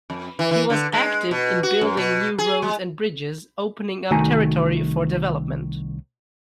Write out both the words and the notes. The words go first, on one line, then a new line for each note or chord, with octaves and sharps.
He was active in building new roads and bridges, opening up territory for development.
F2
E3
E3
D3
G#3
B2
F#4
F#2
B2
G#4
G#3
C2 D#3 A3 F#4 G#5 A#5